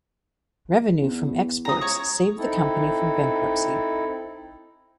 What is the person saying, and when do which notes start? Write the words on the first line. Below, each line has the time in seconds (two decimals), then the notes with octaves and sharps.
Revenue from exports saved the company from bankruptcy.
1.01 E2
1.65 C#2 A#5 D#6
1.81 C#5 C#6
2.37 C4 D#4 E4 A4